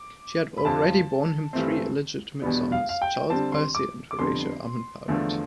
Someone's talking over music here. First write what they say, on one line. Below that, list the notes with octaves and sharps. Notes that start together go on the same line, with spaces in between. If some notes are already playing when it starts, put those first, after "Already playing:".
She had already borne him three illegitimate sons: Charles, Percy, and Horatio Armand Powlett.
Already playing: D6
B5
F2 C3 F3 A5
G2 E3 A3 C4
E2 B2 G3 B3 D4
F5
F5
G5
D3 G3 C4 A5
C6
D6
D6
F2 D3 G3 B3 C6
E2 D3 F3 A3